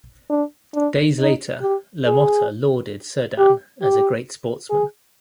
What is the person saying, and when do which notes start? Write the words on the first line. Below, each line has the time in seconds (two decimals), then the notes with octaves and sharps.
Days later, LaMotta lauded Cerdan as a great sportsman.
0.30 D4
0.74 D4
1.19 D#4
1.62 G4
2.06 G#4
3.39 G4
3.82 G4
4.70 G#4